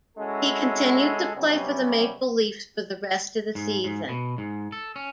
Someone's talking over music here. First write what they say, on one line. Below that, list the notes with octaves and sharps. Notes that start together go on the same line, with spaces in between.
He continued to play for the Maple Leafs for the rest of the season.
G#3 C#4 E4 F#4 A4
C3 F#3 G3 B3 C#4
G#2
G#2
B2
G#2
A4
C#4